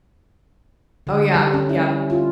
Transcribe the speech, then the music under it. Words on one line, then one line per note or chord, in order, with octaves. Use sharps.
Oh yeah, yep.
D3
G3
C#4
E4
F4